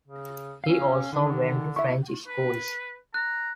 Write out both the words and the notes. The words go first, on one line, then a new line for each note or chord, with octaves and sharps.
He also went to French schools.
C#3
C#4 F5 E6
D3 D#3
E4 E5 C#6
B4
A#5 F#6